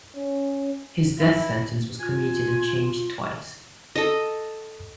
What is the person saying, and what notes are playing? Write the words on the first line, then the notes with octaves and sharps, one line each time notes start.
His death sentence was commuted and changed twice.
C#4
E4
F4 G#5
A4 D#5